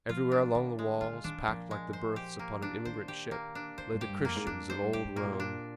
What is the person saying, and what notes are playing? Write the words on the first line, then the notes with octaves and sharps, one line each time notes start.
Everywhere along the walls, packed like the berths upon an emigrant ship, lay the Christians of old Rome.
F3 F4
D4
A#2 D#3
G#3
D#3 F4
D3
D#3 D4
A#2 F3
G#3
C5
G4
A#3
D4
D#3 C5
G4
A#3
D4
D3 C5
G#2
G4
G2
F2 A#3
G#2
G2 D4
G#2 C5
G2
G2 G4
G#2
A#2 A#3
G#2
A#2
D4